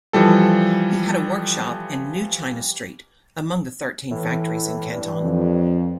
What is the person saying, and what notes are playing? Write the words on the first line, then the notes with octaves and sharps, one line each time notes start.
He had a workshop in 'New China Street' among the Thirteen Factories in Canton.
E3 F3 G3 A4
A2 E3
G2
F2